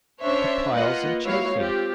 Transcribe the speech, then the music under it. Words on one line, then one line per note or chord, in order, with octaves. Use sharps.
For piles and chafing.
C#4 D4 C5 C#5 E5
A#3 F4 B4 D#5 F#5
G#3 A#3 E4 F#4 C#5 F5
C4 F4 G4